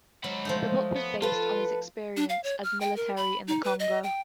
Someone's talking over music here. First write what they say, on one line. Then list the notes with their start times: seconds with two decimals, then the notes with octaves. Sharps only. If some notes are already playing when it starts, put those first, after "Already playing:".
The book was based on his experience as military in the Congo.
0.24 F#3 G#3 B5
0.45 F3 A3 D#4
0.96 B3
1.22 F4 A4 B4
2.17 D4
2.29 F5
2.43 C#5
2.63 F6
2.80 G5
2.96 A#4
3.17 B5
3.47 D#4
3.64 B4
3.79 D#5
4.03 G5